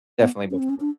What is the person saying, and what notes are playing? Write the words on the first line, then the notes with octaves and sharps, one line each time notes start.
Definitely before.
B3
C#4
C4
C#4
D4